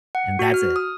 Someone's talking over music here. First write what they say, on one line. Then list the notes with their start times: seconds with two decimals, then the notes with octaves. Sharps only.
and that's it.
0.15 F#5
0.39 F#4
0.54 F6
0.76 D#6